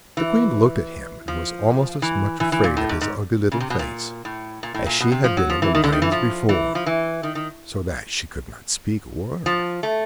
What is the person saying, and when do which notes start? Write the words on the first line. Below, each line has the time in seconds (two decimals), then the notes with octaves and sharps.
The Queen looked at him and was almost as much afraid of his ugly little face as she had been of the lions before, so that she could not speak a word.
0.17 E3
1.28 F3
2.02 E3
2.40 E3
2.52 E3
2.64 A#2
2.77 A2
2.89 G#2
3.01 G#2
3.52 C#3
3.60 C3
3.70 B2
3.79 A#2
4.25 A2
4.63 A#2
4.74 A2
4.86 A#2
5.00 B2
5.12 C3
5.24 F3
5.37 F#3
5.50 F3
5.62 E3
5.75 D#3
5.84 D3
5.92 D#3
6.02 E3
6.12 F3
6.49 E3
6.75 F3
6.86 E3
7.23 D#3
7.35 D#3
9.46 F3
9.83 A3